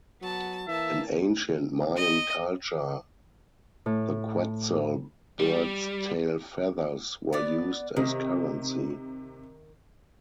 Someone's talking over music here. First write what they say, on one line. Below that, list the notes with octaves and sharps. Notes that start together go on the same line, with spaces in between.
In ancient Mayan culture, the quetzal bird's tail feathers were used as currency.
F#3 B3 A5
E3 A#3 E5 A5
D#5
A2
G3
B3 D5
C3 D#3